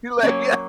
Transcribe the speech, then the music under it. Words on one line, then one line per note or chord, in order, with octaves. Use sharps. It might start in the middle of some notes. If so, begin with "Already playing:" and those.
you, like yeah.
F#3 A#3 C#4